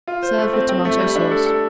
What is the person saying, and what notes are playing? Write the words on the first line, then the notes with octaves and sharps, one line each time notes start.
Serve with tomato-sauce.
F4
C5
A3
C4
C4
A3
G3
D4
A4
A4